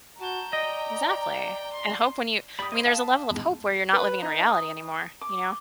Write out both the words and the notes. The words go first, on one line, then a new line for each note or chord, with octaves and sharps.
Exactly, and hope when you I mean, there's a level of hope where you're not living in reality anymore, you know?
F#4 A5 A#5 G6
D5 D#5 G5
C6
G4 D5 B5 D#6 B6
C5 C#5 D#5
F5 A5
E2 G#2
B4
D#4
D#6
D6